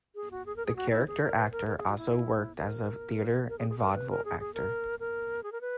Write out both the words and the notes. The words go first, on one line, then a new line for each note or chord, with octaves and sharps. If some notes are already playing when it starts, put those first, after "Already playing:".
The character actor also worked as a theatre and vaudeville actor.
G#4
F#4
G#4
A#4
G#4
F#4
E4
G#4
A#4
B4
A#4
A#4
G#4
F#4
E4
A#4
A#4
G#4
G#4
A#4
B4
A#4
G#4
G#4
A#4
A#4
G#4
A#4
B4